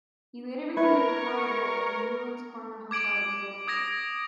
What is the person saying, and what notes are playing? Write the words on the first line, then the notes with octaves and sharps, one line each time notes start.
He later became the proprietor of the Newlands Corner Hotel in Guildford.
E4 A#4 B4 C#6 G#6
D6 G#6 D7 F#7
D#6 G#6 A#6 D7